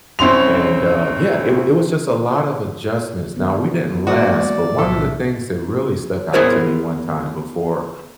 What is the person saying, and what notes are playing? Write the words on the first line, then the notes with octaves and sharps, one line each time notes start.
and, uh, yeah, it w it was just a lot of adjustments. Now, we didn't last, but one of the things that really stuck out to me one time before
C2 C4 C#4 C6 F7
D#3 B3 C#5
G#3 A#3 B3 F#4 A4 D5
B1 A2 C3 A4 E5
B3 E4 G#4 A#4 C5